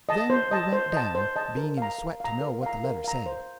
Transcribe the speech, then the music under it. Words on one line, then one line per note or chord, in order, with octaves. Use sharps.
Then we went down, being in a sweat to know what the letter said.
D#5 A5
C5
D#5 A5
C5
D#5 A5
C5
D#5 A5
A#4
F5 A#5
A#4
F5 A#5
A#4
F5 A#5
A#4
F5 A#5
C5